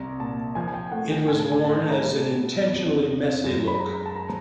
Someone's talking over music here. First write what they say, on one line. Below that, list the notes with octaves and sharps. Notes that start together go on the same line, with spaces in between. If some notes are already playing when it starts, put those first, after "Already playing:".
It was worn as an "intentionally messy" look.
Already playing: C2 A#5
A#2 A5
F3 G#5
G#5
G5
A3 F#5
G5
A2 G#5
A5
G#5
A2 A5
A#5
G3 A5
B2
F2
F2
F#2
B5
G#3 A#5
A5
A#5